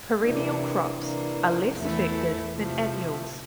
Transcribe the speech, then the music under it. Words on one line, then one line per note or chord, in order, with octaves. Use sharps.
Perennial crops are less affected than annuals.
C3 E3 A#3 D4
C3 E3 A#3 D4
E2 E3 A3 E4 A4
C3 F3 A3 E4